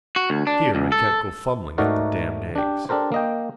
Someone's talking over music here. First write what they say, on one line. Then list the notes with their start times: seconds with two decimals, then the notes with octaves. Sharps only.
Here, I can't go fumbling at the damned eggs.
0.16 F#4
0.30 D2
0.47 D4
0.75 C#2
0.92 A4
1.78 G#2 A3 D#4 F#4 A#4 D5
2.55 D4 G4
2.89 D4 G4 A4 A#4 C5
3.12 A#3 D#5 G5